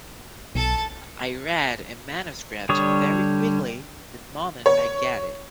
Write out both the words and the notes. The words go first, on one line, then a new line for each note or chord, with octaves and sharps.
I read a manuscript very quickly, the moment I get it.
B1 A4 A5
D3 G3 C#5 D#6
C#5